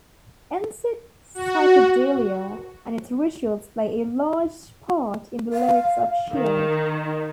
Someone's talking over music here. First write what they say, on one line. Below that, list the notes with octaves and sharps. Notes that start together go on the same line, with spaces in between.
Instead psychedelia and its rituals play a large part in the lyrics of "Shield".
F#4
F5
D#3